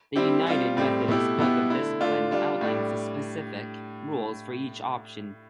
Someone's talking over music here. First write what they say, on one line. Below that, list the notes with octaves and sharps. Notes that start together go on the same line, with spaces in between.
The United Methodist Book of Discipline outlines the specific rules for each option.
G3 C4 E4 G4
G3 C4 F4
A2 G3 C4 G4
B2 A3 E4 G4
B2 B3 E4 G4
D3 A3 E4
D3 A3 D4 F4
G3 D4 F4
A2 G3 D4